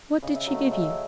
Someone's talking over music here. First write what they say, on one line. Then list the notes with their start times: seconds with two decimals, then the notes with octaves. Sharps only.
'What did she give you?'
0.23 C#3 D#5
0.35 E5
0.47 F#3 A3 D#5
0.66 D#5
0.71 C#3 E5